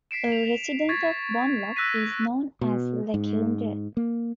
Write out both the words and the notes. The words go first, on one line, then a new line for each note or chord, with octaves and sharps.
A resident of Bonloc is known as a 'Lekuindar'.
B6 C7 D7 E7
F7
C#6 G#6 A6 B6
E6 F#6 A#6 B6 D#7
B2
G#2
A#3